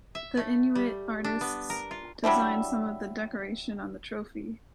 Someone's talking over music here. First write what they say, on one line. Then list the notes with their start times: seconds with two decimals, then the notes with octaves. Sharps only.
The Inuit artists designed some of the decoration on the trophy.
0.15 E5
0.37 A3
0.75 G3
1.24 D4
1.41 B3
1.70 A#4
1.91 F4
2.24 F#3 G3 D4 E4